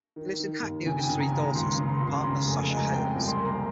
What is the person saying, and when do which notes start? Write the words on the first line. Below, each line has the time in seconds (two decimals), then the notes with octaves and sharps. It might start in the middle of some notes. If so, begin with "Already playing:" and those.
He lives in Hackney with his three daughters and partner Sasha Hails.
0.16 D#3
0.40 D#3
0.62 D#2
0.86 C#3 G#5
0.99 G5
1.03 G#5
1.10 C#3
1.20 A#5
1.32 D#2
1.38 A#5
1.55 C#2 C6
1.72 A#5
1.78 C#3
1.89 C6
2.01 C#2
2.07 C6
2.24 C#3 A#5
2.47 F1 G#5
2.70 G#3 G#5
2.77 A#5
2.85 G#5
2.93 C3 G5
3.11 G#5
3.16 C2
3.28 C6
3.39 A#3
3.45 A#5